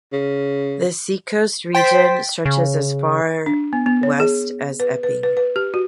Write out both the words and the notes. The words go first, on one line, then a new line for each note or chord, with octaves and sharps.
The Seacoast Region stretches as far west as Epping.
C#3
C5 G5 A6 B6
C#3
D4
B3
B3
C#5
G#4
B4
B4
B4
B4
G4
F#4